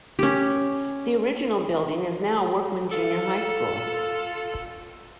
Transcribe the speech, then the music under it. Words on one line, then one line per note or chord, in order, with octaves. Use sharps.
The original building is now Workman Junior High School.
C#4 G4
F4 A4